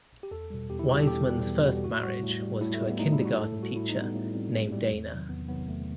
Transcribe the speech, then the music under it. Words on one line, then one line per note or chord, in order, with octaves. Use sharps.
Wiseman's first marriage was to a kindergarten teacher named Dana.
G4
E2 A4
B2 G3
E2 G4
E4
B2 G3 G4
A4
E2 G4
B2 G3
E2
B2 G3
A2 F#4
G3 F#4
A2
G3
A2 E4
A3
G3
B3
A2 D#4
E4
G3
F#4
A2 A4
G3
F#4
A2 E4
D#4
G3
B3
A2
G3 C4
A2
G3
E2
C3 D#3 F#3
E2 B3
C3 D#3 F#3 B3
E2 A3